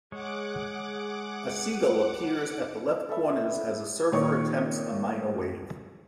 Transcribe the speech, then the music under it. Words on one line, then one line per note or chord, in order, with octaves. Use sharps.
A seagull appears at the left corners as a surfer attempts a minor wave.
G#3 G#4 C#5 F#5 D6
A4 B4 E5
A#2 D#3 C#5 C#6